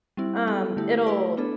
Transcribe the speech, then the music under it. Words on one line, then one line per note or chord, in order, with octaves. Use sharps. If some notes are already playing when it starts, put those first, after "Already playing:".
um, it'll,
G3 C4 E4
G3 B3 E4 A4
D3 A3 E4 G4
A3 E4 B4 D5
B3 D4 A4